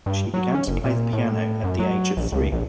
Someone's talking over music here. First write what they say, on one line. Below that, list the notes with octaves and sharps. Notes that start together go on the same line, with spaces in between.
She began to play the piano at the age of three.
G2
F#3
C#4
F#1
A#2
A2
F#2
F#3
A#1
C#2
A#1